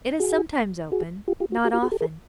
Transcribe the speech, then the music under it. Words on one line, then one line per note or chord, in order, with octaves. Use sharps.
It is sometimes open--not often.
F#4 G#4
F#4 G#4
F4 G4
F4 G4
F#4
F#4 G#4
F4 G4
F#4 G#4
G4 A4
G#4 A#4